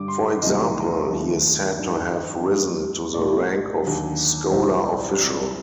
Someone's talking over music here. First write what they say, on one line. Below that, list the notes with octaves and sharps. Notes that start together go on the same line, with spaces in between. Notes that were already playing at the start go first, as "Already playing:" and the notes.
For example, he is said to have risen to the rank of scholar-official.
Already playing: G2 D3 G3 D6
C6
C2 C3 D#3 F#3 A3 D#5
D#2 D#3 F#3 A3
G2 D#3 F#3 D5
D#5
F#2 F#3 A3
C2 A#2 A3 D5
D#2 D3 F#3
C2 A#2 F#3 C5
D5
C2 C3 F#3 D5